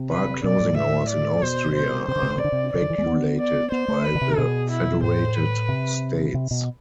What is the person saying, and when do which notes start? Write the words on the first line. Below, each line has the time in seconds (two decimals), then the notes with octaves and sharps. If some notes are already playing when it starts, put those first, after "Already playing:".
Bar closing hours in Austria are regulated by the federated states.
Already playing: C3
0.11 B4
0.44 B2 D5
0.60 A2
0.77 E5
1.10 D5
1.42 B2 C5
1.75 C5
2.07 C3 C5
2.16 D3
2.23 C3
2.30 D3
2.37 C3
2.41 D3 D5
2.52 C3
2.73 C3 D5
2.82 D3
2.90 E3
2.98 G#3
3.06 B3
3.40 D5
3.72 B3 C5
3.88 A3
4.04 B4
4.15 D3
4.21 C3
4.37 B2 G#4
4.71 E4
5.03 A2 C5
5.36 B4
5.69 C3
6.34 C3
6.51 B2